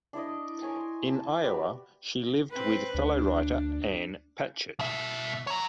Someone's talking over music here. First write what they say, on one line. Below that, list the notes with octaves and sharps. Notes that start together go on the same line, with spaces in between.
In Iowa she lived with fellow writer Ann Patchett.
D4 E4 D5 D#5
A#4 C#5 G#5
C6
A5
F#4 G4 B4 D5
C4 B4
D2 D4
B2 E5
C#5 A#5